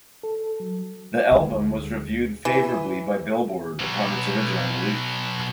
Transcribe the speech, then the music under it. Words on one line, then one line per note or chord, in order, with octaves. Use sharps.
The album was reviewed favorably by "Billboard" upon its original release.
A4
F#3
D2 G#3
E3
B2 F#3